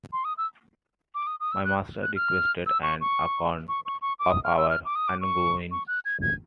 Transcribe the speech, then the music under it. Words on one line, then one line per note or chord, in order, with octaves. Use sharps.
My master requested an account of our ongoings.
C6
D#6
E6
D6
D#6
D#6
E6
F#6
F#6
F6
E6
C#6
C#6
C#6
C#6
C#6
D6
D#6
F6
E6
F6
D6
D#6
D6
C#6
C#6
F#6
G#6
G#6